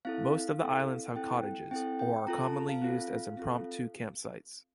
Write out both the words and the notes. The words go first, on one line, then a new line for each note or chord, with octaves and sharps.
Most of the islands have cottages or are commonly used as impromptu campsites.
C4 E4 A4 F5
C4 E4 A4
C4 E4 A4 G5
C4 E4 A4 G5
G5
C4 F4 A4 A#5
A5
F5
C4 F4 A4
C4 F4 A4